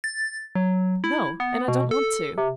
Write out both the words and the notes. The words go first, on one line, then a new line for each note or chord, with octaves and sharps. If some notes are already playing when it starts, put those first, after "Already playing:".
"No, and I don't want to."
A6
F#3
E4
B3
B2
A4
C3